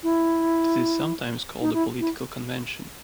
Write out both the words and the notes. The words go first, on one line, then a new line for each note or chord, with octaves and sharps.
This is sometimes called a political convention.
E4
D#4
E4
E4